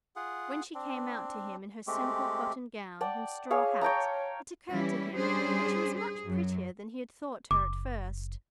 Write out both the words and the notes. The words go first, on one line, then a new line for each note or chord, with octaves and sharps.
When she came out to him in her simple cotton gown and straw hat, it occurred to him that she was much prettier than he had thought her at first.
F4 G#4 F#5
C4 D4
G#3 A3 C4 G4
D5 F#5 G5 A5
G#4 C#5 F5
C#5 G5 A5 A#5
E3 G3 C#4 E4
G3 C#4 D4 G#4 C5
G#4
F#2 F#3
F#1 D6